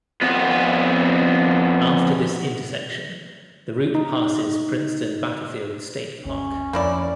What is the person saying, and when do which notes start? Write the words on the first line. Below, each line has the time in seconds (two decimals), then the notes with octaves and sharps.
After this intersection, the route passes Princeton Battlefield State Park.
0.22 F2 B3
3.95 D#4
6.25 G1 D2 C#4
6.73 F2 A#3 E4 D5